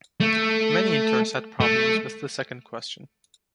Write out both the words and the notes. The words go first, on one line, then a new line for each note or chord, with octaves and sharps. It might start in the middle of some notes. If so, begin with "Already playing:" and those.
Many interns had problems with the second question.
A3
A3